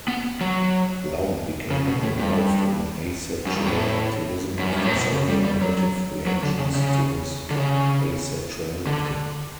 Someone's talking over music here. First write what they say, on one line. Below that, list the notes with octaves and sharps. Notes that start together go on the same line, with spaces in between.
Blount became involved in Asexual activism after several negative reactions to his Asexuality.
B3
F#3
C#3
B2
A2
G2
F#2
G2
A2
F#2
G2
A2
B2
C#3
G3
G3
F#3
F#3
D3
C#3
C#3
D3
C#3
D3